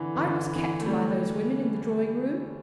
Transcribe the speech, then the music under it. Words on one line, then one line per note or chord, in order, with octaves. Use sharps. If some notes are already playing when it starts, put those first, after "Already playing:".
'I was kept by those women in the drawing-room.
Already playing: D3 E3
E3
D3
E3
A3
G3